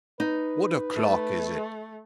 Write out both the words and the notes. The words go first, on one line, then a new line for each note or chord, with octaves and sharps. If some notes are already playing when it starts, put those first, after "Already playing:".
"What o'clock is it?"
D#4 B4
A3